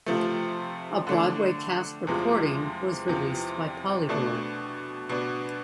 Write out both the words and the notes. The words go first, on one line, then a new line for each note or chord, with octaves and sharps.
A Broadway cast recording was released by Polydor.
C3 F3 A3
D3 A3 D4
E2 C3 F3 G#3
E2 C3 F3
B2 A3 D4
B2 B3 D4